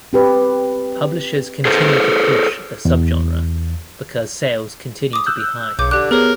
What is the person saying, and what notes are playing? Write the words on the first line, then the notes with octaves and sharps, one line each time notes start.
Publishers continue to push the subgenre because sales continue to be high.
C4 G4 B4
G#4 A4 C5
E2
D6 D#6
E6 F#6 G6
B1 C#3 D6 G6
D3 G4 D6 F#6
B3 G#4 A#4 C#5